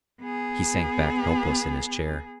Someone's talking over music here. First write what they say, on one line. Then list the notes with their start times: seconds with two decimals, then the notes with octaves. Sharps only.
He sank back helpless in his chair.
0.21 B3 G#4